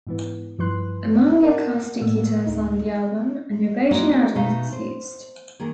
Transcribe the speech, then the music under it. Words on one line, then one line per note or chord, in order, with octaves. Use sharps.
Among the acoustic guitars on the album, an Ovation Adamas was used.
G#2 E3 B3
G2 E3 F3 B4 C6 F#6
A#4 D5 F#5 A5
A2 A3 A#3 E6
D2 D#4
G#3 A#3 C4 F#4 C#5 D#5
B2 A3 D#4 F5
C5
D#3 A#3 G#4